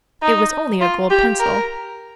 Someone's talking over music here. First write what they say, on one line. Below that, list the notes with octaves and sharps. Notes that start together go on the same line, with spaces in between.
It was only a gold pencil.
D#4
F4
G4
A#4